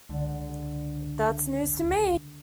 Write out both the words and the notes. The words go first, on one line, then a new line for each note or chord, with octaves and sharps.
That's news to me.
C#2 D3